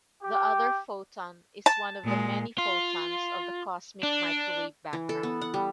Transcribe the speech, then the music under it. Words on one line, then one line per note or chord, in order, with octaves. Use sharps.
The other photon is one of the many photons of the cosmic microwave background.
G4
A5
A#2 G#3
F4
D4
E3
A4
B3
F#5
G3